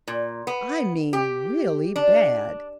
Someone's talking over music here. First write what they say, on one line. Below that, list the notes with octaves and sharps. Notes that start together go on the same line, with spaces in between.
I mean really bad.
A#2
B3
G4
D4